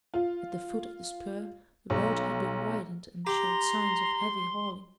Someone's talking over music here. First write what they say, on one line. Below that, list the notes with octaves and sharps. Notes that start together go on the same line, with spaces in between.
At the foot of the spur the road had been widened and showed signs of heavy hauling.
F4
B1
G4 A#5 C6